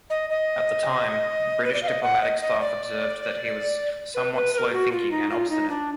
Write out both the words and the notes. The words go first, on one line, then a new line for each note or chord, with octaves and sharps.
At the time, British diplomatic staff observed that he was "somewhat slow-thinking and obstinate".
D#5
D#5
B4
D5
F5
D#5
F#5
D#5
D#5
D5
B4
B4
B4
A#4
F#4
F4
D#4
F4
D#4
D4